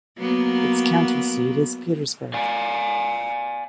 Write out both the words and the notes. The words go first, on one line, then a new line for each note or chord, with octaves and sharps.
Its county seat is Petersburg.
F#3 A#3 B3
D5 F5 G#5